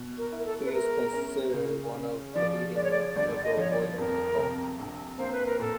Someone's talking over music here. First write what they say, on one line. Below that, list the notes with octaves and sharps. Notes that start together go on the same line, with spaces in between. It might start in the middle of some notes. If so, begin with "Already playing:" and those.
She is considered one of the leading liberal voices in the Court.
Already playing: B2
A#4
E4
A#4
A4
B4
G#3 A#4
C#4
C#3
C#4
F3 D5
G#3 D5
C#5
D5
G1 D5
D5
D#5
F3 C#5
D5
B4
F2 A#4
C3
A#1
A#3 C5
B4
A#4
A#2 A4